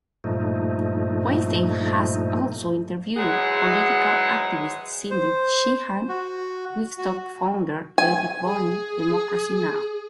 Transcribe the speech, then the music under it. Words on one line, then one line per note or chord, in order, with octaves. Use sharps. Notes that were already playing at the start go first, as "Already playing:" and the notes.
Weinstein has also interviewed political activist Cindy Sheehan, Wigstock founder Lady Bunny, Democracy Now!
G2 A#2 F3 A3 D#4
G#2 E3 F#3 G#3 G#4 F#5
C5
F#4
F#4
G#5
G#4